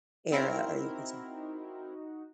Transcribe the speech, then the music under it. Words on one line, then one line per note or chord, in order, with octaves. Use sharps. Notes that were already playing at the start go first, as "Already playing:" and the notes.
era are you considered?
C4 D#4 E4 F#4 A#4